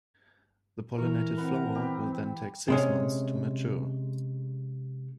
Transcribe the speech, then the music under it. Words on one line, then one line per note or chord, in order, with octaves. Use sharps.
The pollinated flower will then take six months to mature.
E3 A#4 C#6
C4 B4 F#5 A#5
G4
C3 G#3 C#4